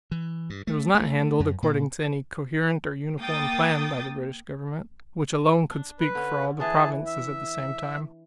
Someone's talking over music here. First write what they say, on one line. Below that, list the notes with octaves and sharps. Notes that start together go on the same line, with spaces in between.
It was not handled according to any coherent or uniform plan by the British government, which alone could speak for all the provinces at the same time.
E3
G2
A3
A3
F#2
A#2
A#3 G5 D#6 A6
D4
B4
D3 C#4
E3 D4 G#4 A5
E5